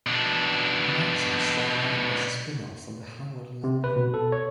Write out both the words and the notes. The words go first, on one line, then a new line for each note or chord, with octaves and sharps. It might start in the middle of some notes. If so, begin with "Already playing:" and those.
The magazine started out as a spinoff from the "Harvard Lampoon".
B2 D4
C3
B4
B2
A4
C#5